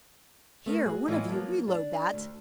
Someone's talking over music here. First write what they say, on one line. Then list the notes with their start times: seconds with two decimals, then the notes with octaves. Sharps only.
Here, one of you, reload that.
0.66 A3 B3 A#4
0.86 F#4 G#4
1.08 A2 E3 E4 F4 D#5
1.28 F3 F#3 A#3 B3
1.68 D4
2.14 D2